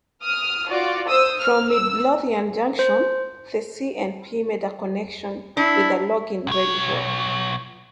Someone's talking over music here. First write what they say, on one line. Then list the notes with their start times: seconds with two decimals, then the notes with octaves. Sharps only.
From Midlothian Junction, the C and P made a connection with a logging railroad.
0.25 D#6 F6
0.68 F4 F#4 D5
1.08 C5 D#6 E6
1.39 F6
1.71 E6
2.79 C5
5.57 D4 E4
6.47 B1 C#5